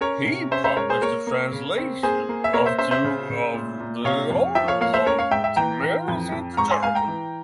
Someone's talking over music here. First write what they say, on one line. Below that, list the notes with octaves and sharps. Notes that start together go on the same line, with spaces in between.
He published a translation of two of the orders of the Mishna into German.
C#4 A#4 C#5
C3
C#4 C5 E5
C5 E5
G#3 A#4 C#5
G#4 C5
A#3 A#4 C#5
A#3
C#3
C4
A#3 G#4 C5
A#3
E5
A#3 A#4 C#5
C5 E5
C#4 C5 E5
C5 E5
C#3
C#3
A#2
A#2
C3 C#5 F5
F2
F3 E5 G5
C#5 F5
A#3 C#5 F5
C5 E5
C#4 A#4 C#5
C#5 F5
G#2 E5 G5
E5 G5
E3 G5 A#5
E3
F2
F2
G#2 A#5 C#6
G#5 C6
G#2 F5 G#5
G5 A#5
E3